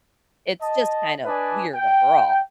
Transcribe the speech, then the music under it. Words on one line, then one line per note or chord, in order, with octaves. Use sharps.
it's just kind of weird overall.
D#5 A5
D4 B4 D5 D#5 G#5 A5
G5